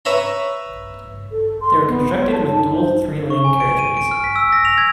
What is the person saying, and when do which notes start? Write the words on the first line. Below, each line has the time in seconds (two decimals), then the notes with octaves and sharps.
They were constructed with dual three-lane carriageways.
0.05 B4 C#5 E5 A#5 B5
1.31 A4
1.61 C6
1.88 B3
2.15 C#5
2.32 A5
2.54 D#4
2.75 C5
3.30 C#6
3.44 G#5
3.60 D7
3.79 D#7
3.97 D7
4.11 F6
4.24 B6
4.36 E6
4.52 A#6
4.65 F7
4.78 G#6